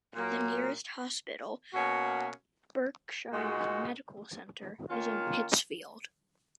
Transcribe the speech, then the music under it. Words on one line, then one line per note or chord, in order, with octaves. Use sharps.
The nearest hospital, Berkshire Medical Center, is in Pittsfield.
A#2 F#3 A#3
B2 A#3 C#4 F#4
A#2 G#3 D#4 F#4
D#3 A#3 C#4 F4